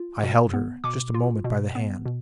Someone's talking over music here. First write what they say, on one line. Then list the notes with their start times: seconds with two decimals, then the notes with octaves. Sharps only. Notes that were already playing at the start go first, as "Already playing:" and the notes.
I held her just a moment by the hand.
Already playing: F4
0.23 B2
0.53 B3
0.84 B2 D6
1.14 F4
1.44 B2
1.75 B3
2.06 B2